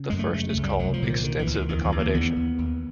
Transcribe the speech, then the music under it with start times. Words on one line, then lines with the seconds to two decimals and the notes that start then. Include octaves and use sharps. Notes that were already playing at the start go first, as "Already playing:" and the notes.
The first is called extensive accommodation.
Already playing: C#3
0.10 F#2 G#3
0.19 A3
0.34 C#3 A3
0.49 A3
0.57 C#2
0.64 G3
0.79 C2 F#3
0.93 F3
1.02 A#2 D3
1.10 D#3
1.23 D3 D#3
1.39 E3
1.46 D2
1.54 D#3
1.69 E2 D#3
1.84 F3
1.92 E2
1.99 A#3
2.14 D#2 B3
2.36 D#2
2.58 D#2